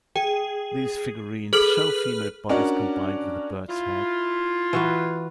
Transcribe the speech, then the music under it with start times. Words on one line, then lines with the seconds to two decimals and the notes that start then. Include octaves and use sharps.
These figurines show female bodies combined with a bird's head.
0.16 G#4 G5
1.53 G#4 A4 B4 F6 F#7
2.49 C#4 D4 F#4 A#4 D5
3.68 E4 F4
4.73 E3 F#4 B4